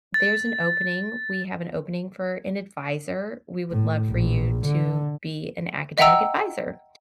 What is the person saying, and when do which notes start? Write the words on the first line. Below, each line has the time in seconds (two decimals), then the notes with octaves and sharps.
there's an opening, we have an opening for an adviser, we would love for you to be an academic adviser,"
0.14 A6
3.71 A2
4.10 A#1
4.65 D3
5.98 D#5 E5 F#5 G5 A#5 E6